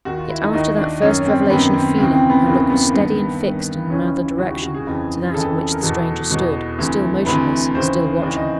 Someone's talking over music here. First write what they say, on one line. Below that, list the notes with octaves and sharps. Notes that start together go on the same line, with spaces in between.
Yet after that first revelation of feeling, her look was steady and fixed in another direction to that in which the stranger stood,--still motionless--still watching.
D#2 D#3 F#4
F4
E4
D#4
D#2 D#3 D#4
D4
F#2 D#3 C#4
C#4
C4
F#2 D#3 B3
C4
D#2 C#3 E3 C4
C4
B3
D#2 C#3 E3 A#3
B3
A#3
G2 D#3 B3
G2 D#3
D#2 C#3 E3 C#4
D#2 C#3 E3 F#4
F#4
F#4
G#4
F2 C#3 E3
G#4
F2 C#3 E3 A4
A#4
E2 B2 A4
E2 B2
D2 C3 E3
D2 C3 E3 B4
D#2 C#3 E3 C5
D#2 C#3 E3 D5
D#5